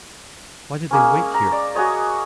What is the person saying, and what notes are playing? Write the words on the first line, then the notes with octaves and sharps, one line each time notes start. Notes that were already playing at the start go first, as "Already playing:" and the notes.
Why did they wait here?
G#3 A#3 C#4
A#5
D5
F#4 G#4 C#5 D#5